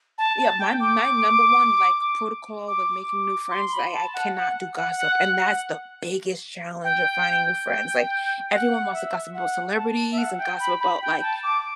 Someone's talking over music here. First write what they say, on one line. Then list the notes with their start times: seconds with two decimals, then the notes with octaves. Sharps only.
yeah, my my number one, like, protocol with making new friends is I I cannot do gossip, and that's the biggest challenge of finding new friends. Like, everyone wants to gossip about celebrities and gossip about, like
0.18 A5
0.38 A5
0.59 G5
0.80 D6
2.68 D6
3.09 D6
3.51 C6
3.72 B5
3.92 A5
4.14 F#5
4.35 F#5
4.76 F#5
4.97 F#5
5.18 F#5
5.38 F#5
6.84 G5
7.68 G5
8.51 F#5
8.93 E5
9.34 F#5
9.76 A5
10.12 E5
10.18 F#5
10.38 G5
10.60 B5
10.80 B5
11.02 G5
11.22 A5
11.43 D6